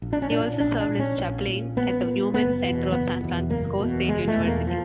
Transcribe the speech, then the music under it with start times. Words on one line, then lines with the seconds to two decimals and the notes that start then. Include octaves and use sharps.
He also served as chaplain at the Newman Centre of San Francisco State University.
0.02 A#1
0.13 D4
0.22 C#4
0.31 A#2 D4
0.60 A#1 D4
0.80 D4
0.89 A#2
0.99 C#4
1.18 A#1
1.47 A#2
1.76 A#1 B3
2.05 A#2
2.34 F#1 B3
2.63 E2 B2
2.92 F#1 B3
3.22 E2 B2
3.50 F#1 A#3
3.80 E2 B2
4.08 F#1 G#3
4.28 A3
4.37 E2 B2
4.47 A#3
4.67 F3